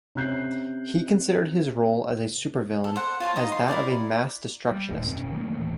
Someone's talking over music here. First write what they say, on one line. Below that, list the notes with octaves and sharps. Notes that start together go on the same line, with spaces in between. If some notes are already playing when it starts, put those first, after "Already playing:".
He considered his role as a supervillain as that of a "mass-destructionist".
C3 C#4 F#6 G6 C7
A4
C5 F#5
F4 C5 C#5 A5
D#4 D#5 A#5
C6
E4 F4 A#4 D5
G3
D#1 D#2 A2
G2 A#2 C4
F#1 B2 C#4
D#3 F#3 A3 A#3
D#1 A2 E3